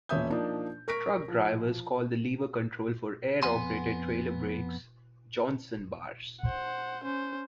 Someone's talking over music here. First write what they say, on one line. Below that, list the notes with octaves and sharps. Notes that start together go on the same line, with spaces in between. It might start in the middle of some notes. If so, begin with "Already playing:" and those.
Truck drivers call the lever control for air-operated trailer brakes "Johnson bars".
E1 A#2 C#4 E5 D#6 G6
F3 A#3 D4 D#4
A#4 C#6 A#6 B6 D7
F3
F2 B3 F#5 G#5 C6
C5 F#5
C#4 C5